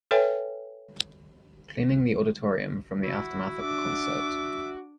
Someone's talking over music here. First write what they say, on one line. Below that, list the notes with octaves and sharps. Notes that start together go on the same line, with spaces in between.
Cleaning the auditorium from the aftermath of a concert.
A4 B4 C#5 E5 G5 G#5
E4 F#4
D4 E5 D6